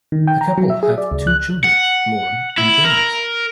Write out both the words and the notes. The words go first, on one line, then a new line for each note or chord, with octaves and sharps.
The couple have two children, Lauren and James.
D#3
G5
A#5
F#3
E5
G#4
D5
C#2
F#6
F#5
E4
A#4